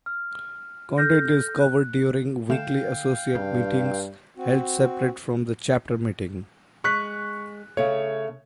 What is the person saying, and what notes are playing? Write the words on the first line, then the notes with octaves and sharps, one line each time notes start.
Content is covered during weekly associate meetings held separate from the chapter meeting.
F6
A4 F6 G6 A#6
F#6
D3 A3 F5 G5 E7
G2 C#3
C4 F#4
G#3 C#6 F#6 B6
C#3 A3 C#5